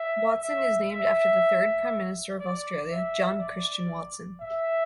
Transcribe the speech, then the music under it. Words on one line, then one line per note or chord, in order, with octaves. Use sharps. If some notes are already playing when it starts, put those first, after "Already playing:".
Watson is named after the third Prime Minister of Australia, John Christian Watson.
Already playing: E5
E5
E5
D5
E5
D5
E5